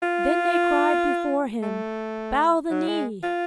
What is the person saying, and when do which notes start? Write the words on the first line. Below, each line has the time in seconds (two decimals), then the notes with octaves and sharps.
Then they cried before him, Bow the knee!
0.02 F4
1.62 A3
2.70 F#3
2.88 G#3
3.23 F4